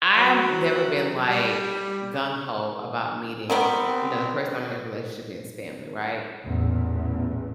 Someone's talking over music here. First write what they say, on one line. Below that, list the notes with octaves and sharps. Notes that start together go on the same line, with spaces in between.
I've never been, like, gung-ho about meeting, you know, the person I'm in a relationship in's family, right?
F#3
G3
D#3 G3 B3 C4
A1 E2 A#2